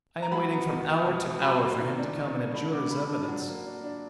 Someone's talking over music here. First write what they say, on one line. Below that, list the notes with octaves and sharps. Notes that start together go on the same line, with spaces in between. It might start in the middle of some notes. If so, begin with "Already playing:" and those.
I am waiting from hour to hour for him to come and abjure his evidence.
A#5
F#3 B5
B3
D#3
B3
B2
B2
F#3 B5
A#3
D#3
D4
D#3
D#3
D3 B5
D3 D6
D3 B5
D4
F#3
A#3
D4
D4